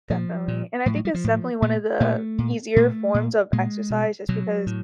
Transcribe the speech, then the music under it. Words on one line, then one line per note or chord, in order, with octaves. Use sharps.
Definitely, and I think it's definitely one of the easier forms of exercise just because,
A#2 F3
A#2
A2 F3
F#3
G3
F3
A2
A#2 A3
A#2 A3
A#2
A#2 A3
A#2
A#2 G#3
B2
B2 F#3
A2